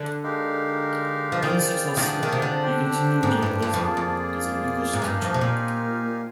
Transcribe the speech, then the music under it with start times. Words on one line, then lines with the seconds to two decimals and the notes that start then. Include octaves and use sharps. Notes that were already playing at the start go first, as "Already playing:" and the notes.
Unsuccessful, he continued in Lisbon as an English teacher.
Already playing: D3
0.23 G#3 D#4 G4 A#4 F5
1.32 F3
1.42 D#3 F4 G#4 D5 G5
1.97 D#3
2.02 D3
2.23 D#3
2.32 C3
2.42 D3
2.62 D4 G4 C5 G5
3.23 G#2
3.42 G2
3.62 G2
3.74 F2
3.82 A#3 F4 G#4 D5
3.97 F2
4.93 G#2
5.02 G2 D#4 G4 A#4 F5 G#5
5.22 F2
5.34 C3
5.41 A#2